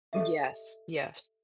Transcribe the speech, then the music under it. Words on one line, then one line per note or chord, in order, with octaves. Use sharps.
Yes, yes.
G4 A4 D#5 E5